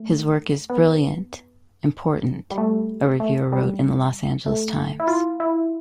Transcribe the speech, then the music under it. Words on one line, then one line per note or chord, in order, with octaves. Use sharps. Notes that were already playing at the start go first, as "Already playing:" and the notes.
His work is "brilliant, important" a reviewer wrote in the "Los Angeles Times".
Already playing: A3
B3
G3
A3
A3
G3
A3
E4
F4
E4